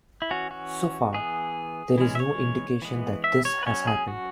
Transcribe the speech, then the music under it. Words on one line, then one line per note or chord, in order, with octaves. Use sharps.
So far, there is no indication that this has happened.
E4
E3 C#4 F#4
F#4
E3 B3 G#4
E3 G#3 C#4
E5
C#5
E3 G#3 B3
E5
C#5
B4
F#3 C#4 C#5
G#4
F#4